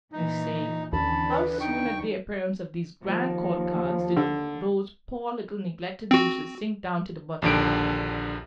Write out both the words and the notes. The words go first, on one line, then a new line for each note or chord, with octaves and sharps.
I say, how soon at the appearance of these grand court cards, did those poor little neglected deuces sink down to the bottom of the pack.
A#2 E3 D#4
D#2 D3 E3 C#4 A5 B5
B4
D#4 G5 C#6
D#2 F3
D3
C4 F#4
A#1 D#2 D3 D7